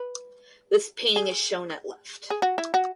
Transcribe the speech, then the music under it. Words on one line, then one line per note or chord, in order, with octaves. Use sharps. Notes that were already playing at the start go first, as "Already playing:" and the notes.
This painting is shown at left.
Already playing: B4
G#4
G#4
F#4
E4
F#4